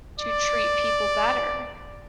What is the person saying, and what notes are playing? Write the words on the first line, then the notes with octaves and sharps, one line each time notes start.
to treat people better,
D5